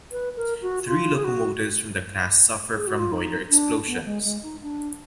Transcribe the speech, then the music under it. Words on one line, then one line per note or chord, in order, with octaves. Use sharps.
Three locomotives from the class suffered from boiler explosions.
B4
A#4
F#4
F4
G#4
F#4
G#4
F#4
F4
D#4
D4
B3
G#3
G#3
D#4
D4